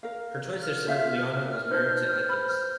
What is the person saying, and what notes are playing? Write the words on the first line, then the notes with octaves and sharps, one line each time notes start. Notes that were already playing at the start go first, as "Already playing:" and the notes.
Her twin sister Leona was married to Atkins.
A#4 F5
F6
F4 E5 F5
D#4 B4 C5 A5 G6
B5